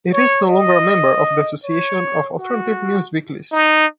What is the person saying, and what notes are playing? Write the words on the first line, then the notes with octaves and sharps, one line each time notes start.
It is no longer a member of the Association of Alternative Newsweeklies.
C#5
D#5
C#5
F#4
D#4